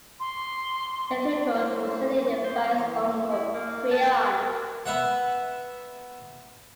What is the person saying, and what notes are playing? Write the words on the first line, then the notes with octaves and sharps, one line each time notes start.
Eteocles was succeeded by his uncle, Creon.
C6
A#3 C#4 E4 C5
C5
E3
A3
E4
A#3
A5
A#4
B3 E5 F#5